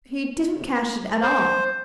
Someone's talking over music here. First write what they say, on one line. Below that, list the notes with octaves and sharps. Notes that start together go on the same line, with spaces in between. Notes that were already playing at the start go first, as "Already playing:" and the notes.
He didn't cash it at all.'
C5